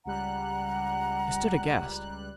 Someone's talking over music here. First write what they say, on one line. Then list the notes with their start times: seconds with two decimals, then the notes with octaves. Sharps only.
I stood aghast.
0.05 C#2 G3 F#5 A#5 F#6